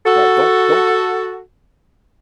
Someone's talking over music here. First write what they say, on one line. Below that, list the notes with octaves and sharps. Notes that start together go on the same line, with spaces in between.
Right, don't don't c
F#4 A4